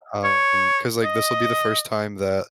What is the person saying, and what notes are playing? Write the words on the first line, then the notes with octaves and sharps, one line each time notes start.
um, 'cause, like, this will be the first time that
C#5
D#5